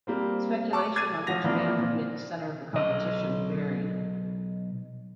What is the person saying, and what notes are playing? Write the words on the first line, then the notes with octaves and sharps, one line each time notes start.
Speculation on which band would be at the center of the competition varied.
G3 A#3 C4
A5 C#6 D6
D6 G#6 A6 D#7
F3 F#3 F#5 A#6 F7
E3 F3 A#3 C4 D4 F4
A#2
B1 D#5